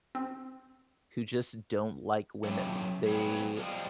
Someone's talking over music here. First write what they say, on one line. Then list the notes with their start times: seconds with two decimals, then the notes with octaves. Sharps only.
who just don't like women. They
0.15 C4
2.44 F#3 A3 C#4 E4 G4
3.06 F#3 G3 B3 C4 G#4
3.57 F3 G3 G#3